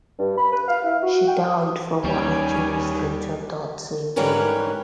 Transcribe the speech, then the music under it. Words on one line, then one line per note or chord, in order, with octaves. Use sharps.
She died from her injuries later that same day.
G2
B5
B4
F5
E4
F#4
G5
D#2 G3 C#4 G#5
G#2 E3 G3 C#4 A#4 B4